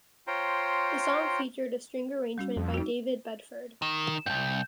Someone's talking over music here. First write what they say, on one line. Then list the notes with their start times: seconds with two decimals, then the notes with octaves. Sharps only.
The song featured a string arrangement by David Bedford.
0.27 F4 C5 C#5 G5 A#5 C6
2.38 G3 C#4 F#4
2.57 F2
2.74 D#4 F#4
3.82 D#3 E7
4.26 C2 G2 G6